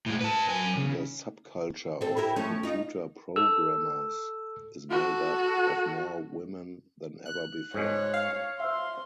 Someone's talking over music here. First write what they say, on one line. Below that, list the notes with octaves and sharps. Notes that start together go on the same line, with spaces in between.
The subculture of computer programmers is made up of more women than ever before.
A2 G#3
B4 A5
F#3 G#5
C#3
C4 A4
E4 G4 A#4
F3 A3 C#4
D#4 F4
A4 E6
F#4 A4
F#6
G#2 G#3 C#5
F5
C5 E5 C6